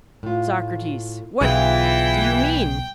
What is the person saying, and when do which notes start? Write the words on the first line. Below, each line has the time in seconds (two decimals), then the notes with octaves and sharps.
SOCRATES: What do you mean?
0.23 A2 F4
1.41 B1 D3 E3 F4 G#4 G5